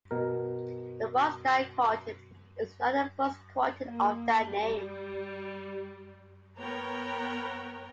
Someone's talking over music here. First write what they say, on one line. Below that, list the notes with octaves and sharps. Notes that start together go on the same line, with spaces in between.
The Brodsky Quartet is not the first quartet of that name.
B2 A#4
A#3
G3
B3 A#4 B4 C#5 G5 A#5